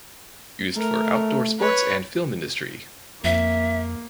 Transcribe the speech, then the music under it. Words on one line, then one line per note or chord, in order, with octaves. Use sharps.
Used for outdoor sports and film industry.
A3 A#4
B4 C#5
F2 A#3 E5